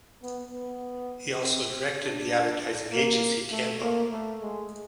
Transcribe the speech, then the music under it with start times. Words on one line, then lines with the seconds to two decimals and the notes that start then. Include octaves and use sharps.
He also directed the advertising agency Tiempo.
0.23 B3
0.52 B3
1.42 C4
2.02 D4
2.92 A#3
3.51 A3
3.81 A#3
4.12 A3
4.42 G#3